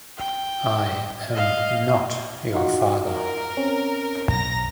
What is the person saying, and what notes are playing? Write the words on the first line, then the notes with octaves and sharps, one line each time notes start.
I am "not" your father!
G5
D#5 F5
D#4 F4 F#4
A#4
C4 C#4
B1 A#5 A#6